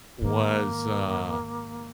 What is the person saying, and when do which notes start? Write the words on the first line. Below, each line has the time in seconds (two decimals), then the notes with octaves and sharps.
was, uh,
0.22 G#2 D#3 A#3